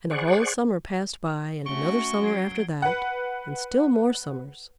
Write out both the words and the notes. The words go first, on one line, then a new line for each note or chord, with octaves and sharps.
And the whole summer passed by, and another summer after that, and still more summers.
G#4 C5 D5 F#5 C#6
A3 C#4 F#4 C#6 D7 G7
F#3 G#6 C7 D7
B4 F#5